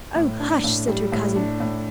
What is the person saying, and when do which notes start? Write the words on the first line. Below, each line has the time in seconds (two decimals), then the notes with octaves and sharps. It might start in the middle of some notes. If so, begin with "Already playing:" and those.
"Oh, hush!" said her cousin.
0.16 A2
0.40 D4
0.64 A2
0.88 G3
1.12 A2
1.36 D4
1.60 A2